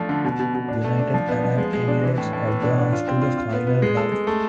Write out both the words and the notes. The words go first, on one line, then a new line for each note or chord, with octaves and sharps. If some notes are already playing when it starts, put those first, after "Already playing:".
United Arab Emirates advanced to the Final Round.
Already playing: F3 A3 D4
D3
B2
B2
B2
D4
A3
D4
F3
B3
F3
G#3
G#3
D4
E3
A2
A2
E3
D4
D4
F4
C4
F4
F4
B3
B3
G#3
A4
G#3
A3